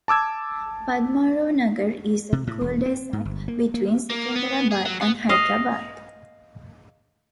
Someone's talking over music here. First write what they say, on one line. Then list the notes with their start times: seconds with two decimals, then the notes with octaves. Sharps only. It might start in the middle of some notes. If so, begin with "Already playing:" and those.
Padmarao Nagar is a cul-de-sac between Secunderabad and Hyderabad.
0.08 A5 D6 E6 G#6
2.32 C3
2.47 A2
2.61 E1
2.86 C4
3.13 G#2
3.25 G1
3.48 A#3
3.74 A#3
4.10 A#3
4.36 B3
4.71 G#4
4.85 F#3
5.01 B3
5.29 D#5 F5